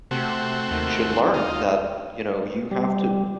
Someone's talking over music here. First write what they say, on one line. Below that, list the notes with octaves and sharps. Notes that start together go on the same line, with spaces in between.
should learn, that, you know, you have to
C3 A3 C4 F#4
D#2
D#4 F4
G3